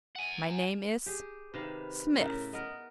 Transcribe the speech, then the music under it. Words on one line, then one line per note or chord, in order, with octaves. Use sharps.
"My name is--Smith."
F#5 G#5
G4 G#4
C3 D#3 B4 F5
A2 C#3 E4 A#4
B3 A#4 D#5